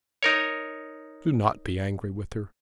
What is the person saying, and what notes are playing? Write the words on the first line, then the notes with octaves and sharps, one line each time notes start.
'Do not be angry with her.
D#4 A#4 C#5